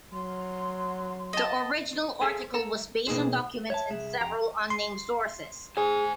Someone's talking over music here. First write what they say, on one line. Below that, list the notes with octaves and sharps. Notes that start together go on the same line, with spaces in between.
The original article was based on documents and several unnamed sources.
F#3 C6
D#5 A5
G#4 A4 E5 F5 G#5 C6
A4 A5 A#5
B2 A#3 D#4 G#4 C5
C#5 E5 F#5 A5
C2 G#4 E5
F2 G4 A#5
C6
G#4 C5 G#5